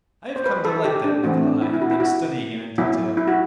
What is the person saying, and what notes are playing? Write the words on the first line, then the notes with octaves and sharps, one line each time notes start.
I have come to like that Nikolay and am studying him in detail.
C5
B4
A4
G4
D4
E3 A3 C4 F#4
D4
E4
E4
F#4
E4
F#4
F#3 B3 E4
E4
F#4